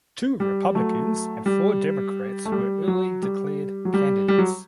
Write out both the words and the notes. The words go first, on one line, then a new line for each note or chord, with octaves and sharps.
Two Republicans and four Democrats were early declared candidates.
G3
F#3 A3
G3
A3
G3
F#3
G3
F#3
G3
G3
F#3